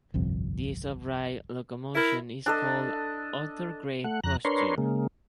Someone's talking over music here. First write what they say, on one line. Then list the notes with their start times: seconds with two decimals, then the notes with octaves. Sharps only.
This upright locomotion is called "orthograde posture".
0.14 G1 C2 F2
1.95 E4 A#4
2.46 D4 A4 D#5
4.04 A3 F#5
4.24 F2 A#5 F#6
4.45 D4 A#4 B4 C#5 C6
4.78 C#3 G#3 A#3